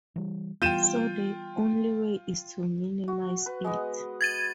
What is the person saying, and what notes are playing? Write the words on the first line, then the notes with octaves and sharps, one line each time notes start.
So the only way is to minimize it.
E3 G3
E3 G3 B3 F4 G5 G6 D#7 E7
F#4
B4
G#3 B3 D#5
G#6 A6 D#7